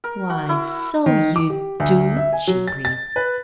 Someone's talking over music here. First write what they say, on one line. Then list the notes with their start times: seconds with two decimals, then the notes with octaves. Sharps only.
"Why--so--you--do!" she breathed.
0.04 A#4
0.30 F#4
0.49 E4
1.06 D#3
1.36 D6
1.50 G4
1.80 D2
2.17 E5
2.33 G#5
2.48 F#3
2.67 A6
2.85 A6
3.16 B4